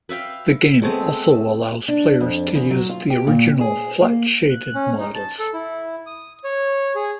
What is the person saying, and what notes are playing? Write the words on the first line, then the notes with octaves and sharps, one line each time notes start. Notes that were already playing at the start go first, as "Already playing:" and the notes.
The game also allows players to use the original flat-shaded models.
B4 E5 F5 G5
G#3 A3 B3 C4
D4
F2
E2
F#3
F4
G4
A#2
G#4
A#3
F#6
C#4
D#4
A5
A4
E4
D#6
C#5
G#4